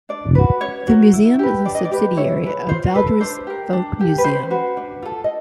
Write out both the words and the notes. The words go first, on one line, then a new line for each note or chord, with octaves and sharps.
The museum is a subsidiary of Valdres Folkemuseum.
D4 D5
F#4 B4
C#4 C#5
F#4 A#4
E4
G4 B4
D4 D5
D#5
D5
G4 B4
E4 C#5
G#4 B4
F4 C5
A4 B4
D4 C5
G4 A#4
D4
G4 A#4
B4
C#4 C5
F#4 B4
D4
F4 A4
D#5